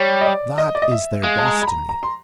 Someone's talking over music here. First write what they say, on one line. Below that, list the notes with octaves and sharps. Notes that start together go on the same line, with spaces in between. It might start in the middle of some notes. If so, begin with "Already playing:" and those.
That is their destiny.
Already playing: G3 C#5
D#5
D5
D#5
D5
D#5
E5
G#3 F5
A5
A#5
B5
A#5
A#5
C6